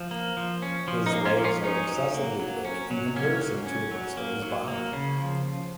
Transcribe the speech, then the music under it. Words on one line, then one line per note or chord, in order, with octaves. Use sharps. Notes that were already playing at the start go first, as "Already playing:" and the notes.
His legs are excessively thick in comparison to the rest of his body.
Already playing: F3
A#3
F3
C#4
F3
D#4
A#3
C#4 F4
F3
C#4 F4
C#4 D#4
F#3
A#3
F#3
C#4
F#3
A#3 C#4
F#3
C#4
F#3
A#3
F#3
A#3
C#3
F3